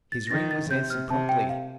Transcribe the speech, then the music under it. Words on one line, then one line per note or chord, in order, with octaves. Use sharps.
His ring was answered promptly.
A6
A#6
D#3 A6
A6
C3 G6
F6
C3 A5
G5
F5